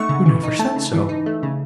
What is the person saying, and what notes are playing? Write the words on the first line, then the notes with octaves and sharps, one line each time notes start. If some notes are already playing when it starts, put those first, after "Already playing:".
"You never said so."
Already playing: A3 D#4 F#5 C#6
C#3
E3
D#4
A3 A5
C#3
E3
D#4
A3
C#3